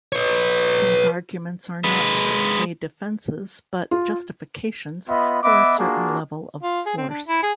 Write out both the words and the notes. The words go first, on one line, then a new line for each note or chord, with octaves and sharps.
These arguments are not strictly defences but justifications for a certain level of force.
B4 C#5
G#3 B4
F4
B3 F4 D#5 E5 B5
B3 B4 D#5 E5 D6
A#3 D4 F4 F#4 G#4
F4
G#4
C4
D4
E4
G#4